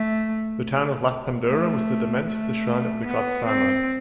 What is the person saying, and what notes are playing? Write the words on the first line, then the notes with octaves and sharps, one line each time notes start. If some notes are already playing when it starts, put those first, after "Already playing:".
The town of Lathpandura was the demesne of the shrine of the God Saman.
Already playing: A3
A3
A3
B3
C4